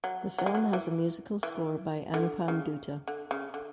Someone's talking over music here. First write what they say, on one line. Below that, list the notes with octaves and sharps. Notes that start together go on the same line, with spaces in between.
The film has musical score by Anupam Dutta.
F#3
F#3
G#3
F#3
E3
E3
D3
C#3
D3
C#3
D3